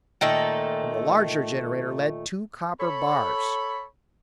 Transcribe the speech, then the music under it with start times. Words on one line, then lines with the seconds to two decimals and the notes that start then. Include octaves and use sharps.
From the larger generator led two copper bars.
0.21 A#2 D#3 A3 A4
2.80 A4 C#5 B5